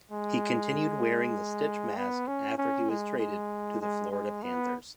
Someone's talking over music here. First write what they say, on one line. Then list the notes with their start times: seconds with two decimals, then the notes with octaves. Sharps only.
He continued wearing the stitch mask after he was traded to the Florida Panthers.
0.11 G#3
1.97 B3
2.27 C#4
2.58 C#4
2.89 G#3
3.19 G#3
3.81 G#3
4.11 G#3
4.43 B3